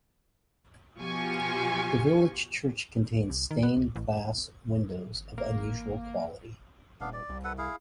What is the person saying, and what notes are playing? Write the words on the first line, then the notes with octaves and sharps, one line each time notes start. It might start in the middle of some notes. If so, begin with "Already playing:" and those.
The village church contains stained glass windows of unusual quality.
B2 F3 F4 G4 G#5 C#6
C2
D#3
B3
C#2
A1
G#1
A#3
D#1 B3 D4 F5
D5
C2
A4 B4 F#5
E4 G#4 F5